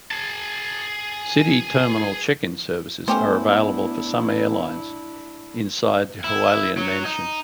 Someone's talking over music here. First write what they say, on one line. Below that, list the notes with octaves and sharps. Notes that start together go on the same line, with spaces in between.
City Terminal check-in services are available for some airlines inside the Hualian Mansion.
G#4 A5
A3 B3 C#4 D4 E4 G4 C5
E4
F#3
D#4